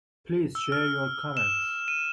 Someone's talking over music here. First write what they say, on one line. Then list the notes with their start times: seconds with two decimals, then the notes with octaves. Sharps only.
Please share your comments.
0.55 E6
0.72 F6
1.37 E7
1.88 D#7